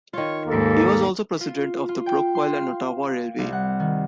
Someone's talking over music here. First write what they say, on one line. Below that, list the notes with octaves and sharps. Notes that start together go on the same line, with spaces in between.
He was also president of the Brockville and Ottawa Railway.
D#3 F4 C#5
D#2 G#2 A#3 A4
F4
F4
G5
C6
F5
C2
F#5
D#3